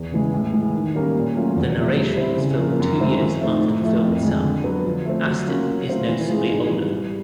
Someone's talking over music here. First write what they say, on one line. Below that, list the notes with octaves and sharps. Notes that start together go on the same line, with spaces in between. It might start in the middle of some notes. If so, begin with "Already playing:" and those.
The narration was filmed two years after the film itself; Astin is noticeably older.
Already playing: E2
C#3 E3 G#3
A2
E3 G#3
D#3
G3 A#3 C#4
A#2
F#3 A3 C#4 F4
E2
C3 F3 A3
G3
C4 E4
C#3
F3 A#3
F#2
D#3 G#3 C4 E4
F3
A3 C4 D#4
A2
F3 A3
F2
D3 F3 G#3
D3
F#3 B3
F3
A3 C4
F#3
A#3 C#4 F4
F#3
A3 C4 F4
E3
G#3 C4 F4 G#4
G#2
E3 G3
G3